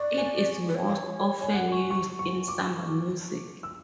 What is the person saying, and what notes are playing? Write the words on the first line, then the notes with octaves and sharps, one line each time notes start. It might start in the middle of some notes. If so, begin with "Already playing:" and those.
It is most often used in samba music.
Already playing: D5 C#6 D6
G#5
B4
C#5
G#5
F#5
C#6
C#6
C#6
D6
E6